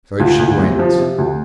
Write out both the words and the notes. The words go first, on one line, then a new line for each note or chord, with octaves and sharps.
So she went.
D2 F4
D2
C3
F3
C3
D2